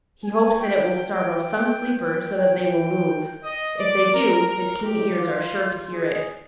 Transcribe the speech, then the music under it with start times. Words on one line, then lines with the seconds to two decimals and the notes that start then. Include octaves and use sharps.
He hopes that it will startle some sleeper so that they will move. If they do, his keen ears are sure to hear it.
0.24 G#5
0.60 G5
0.96 G5
1.31 G5
2.01 G5
2.37 G5
3.43 D#5
3.78 D5
4.14 A#4
4.49 A#4
4.84 G4
5.18 F4
5.90 G#4